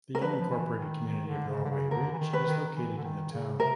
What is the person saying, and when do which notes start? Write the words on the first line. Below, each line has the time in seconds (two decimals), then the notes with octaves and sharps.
The unincorporated community of Norway Ridge is located in the town.
0.15 A#4
0.22 F3 B4
0.40 F3
0.50 E3
0.78 D#3
1.07 D#3
1.27 D3
1.49 C#3
1.64 D3
1.70 C#3
1.91 D3 A#4
2.13 E3
2.19 D#3
2.33 B4
2.47 D#3
2.68 D#3
2.75 E3
2.97 D3
3.04 D#3
3.32 C#3
3.60 C3 A#4